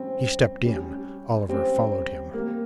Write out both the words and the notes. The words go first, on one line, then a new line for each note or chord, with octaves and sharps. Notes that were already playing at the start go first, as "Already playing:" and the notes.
He stepped in; Oliver followed him.
Already playing: G3 C4 C#4 G4
G3 C#4 G4
G3 C4 C#4 G4
G3 A#3 C4 G4